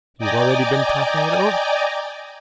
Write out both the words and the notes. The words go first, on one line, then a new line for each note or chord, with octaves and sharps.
You've already been talking it over!
D5 D#5 G5 G#5 A#5 D6